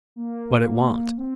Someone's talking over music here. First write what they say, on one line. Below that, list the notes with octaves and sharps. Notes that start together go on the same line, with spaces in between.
But it want.
A#3
C4